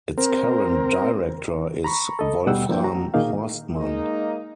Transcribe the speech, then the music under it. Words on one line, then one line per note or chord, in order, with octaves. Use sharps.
Its current director is Wolfram Horstmann.
C4 A#4
A#5 B5 C#6
A4 D#5
D#2 B2 G3 F#5 G5 E6
F3 A#3 D4 E4 G5
F#4 A#5
A#2 D#3 A#3 D#4 G#4 F5
G#3 A#3 D#4